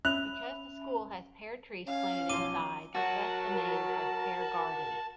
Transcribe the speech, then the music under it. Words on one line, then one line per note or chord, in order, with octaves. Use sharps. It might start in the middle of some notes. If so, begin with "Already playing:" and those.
Because the school has pear trees planted inside, thus the name of "pear garden".
C#4 E5 B5 F#6 F7
C#4 F5
B1 F3 C6 D6 D#7 G7
F#3 F#4 A#4 A5